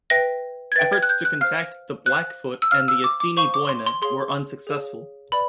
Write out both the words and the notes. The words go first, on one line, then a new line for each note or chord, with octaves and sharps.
Efforts to contact the Blackfoot and the Assiniboine were unsuccessful.
B4 E5 G5 A#6
G#6
B4 E5 G5 A6
G#6
F#6
G6
F#6
C5 F5 F6
C5 F5 F#6
E6
C5 F5 F6
E6
D6
D6
C5 F5 C#6
D6
C6
C6
G#4 C#5 F5 C6
G#4 C#5 F5
B4 D5 B5